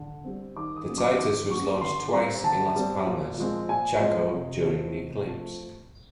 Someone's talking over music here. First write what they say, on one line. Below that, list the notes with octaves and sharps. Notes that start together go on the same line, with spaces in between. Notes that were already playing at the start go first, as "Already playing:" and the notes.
The Titus was launched twice in Las Palmas, Chaco during the eclipse.
Already playing: D3
G3 C4
D#3 D6
D#6
F#3 A#3 C#4
D6
D#3 D6
F#3 A#3 C#4 C#6
D3 C6
G3 C4 A#5
D3 A5
G3 C4
A#2
F3 G#3 C4
A#2 G#5
F3 G#3 C4 D#5
C3
F3 A3 C4
C3
F3 A3 C4